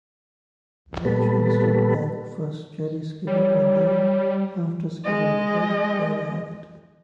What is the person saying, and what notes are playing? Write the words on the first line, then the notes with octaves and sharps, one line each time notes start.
Nash instead backed first Jerry Skinner and then, after Skinner's death, Fred Hackett.
A#2 G3 B3 A4 B4
G3 C#5
G#3 D#5